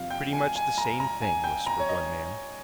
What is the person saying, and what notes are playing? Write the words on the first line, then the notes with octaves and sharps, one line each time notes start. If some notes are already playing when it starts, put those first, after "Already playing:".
"Pretty much the same thing," whispered one man.
Already playing: F2 C3 F3 F5
G5
G#5
G#5
A#5
A#5
G#5
G5
A#5
C#5
D#5